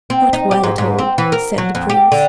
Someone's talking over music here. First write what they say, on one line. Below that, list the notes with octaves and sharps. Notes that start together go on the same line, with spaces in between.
'Not well at all,' said the Prince.
C4
D#4
G4
G#2
G#2
C4
E3
A#4
F#3
F2
G4
D3